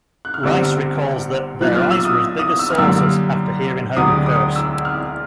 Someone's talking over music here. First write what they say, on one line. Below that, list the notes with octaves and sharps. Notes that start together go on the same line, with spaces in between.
Reiss recalls that "their eyes were as big as saucers" after hearing Homer curse.
F#6
F6
G1 G2 D3 G3 C4 E6
B1 A#2 F3 F#6
F6
E6
D#6
D#6
E6
F6
F#2 D3 G3 A#3 E6
E1 D2 D3 F#3 D#6
D#6
E6
F6